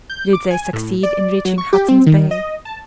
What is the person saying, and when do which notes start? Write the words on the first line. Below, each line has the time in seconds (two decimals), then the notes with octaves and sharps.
Did they succeed in reaching Hudson's Bay?
0.10 G6
0.33 D6
0.51 G#5
0.73 A2
1.03 D5
1.45 F#3
1.58 C#6
1.73 G4
1.89 C4
2.07 D#3
2.31 D#5
2.65 A5